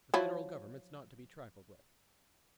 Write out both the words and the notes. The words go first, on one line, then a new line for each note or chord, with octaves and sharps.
The Federal Government's not to be trifled with.
F3 F#3 E4